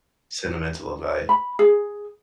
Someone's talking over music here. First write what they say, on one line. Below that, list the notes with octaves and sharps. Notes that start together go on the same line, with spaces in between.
Sentimental of value.
B5
G#4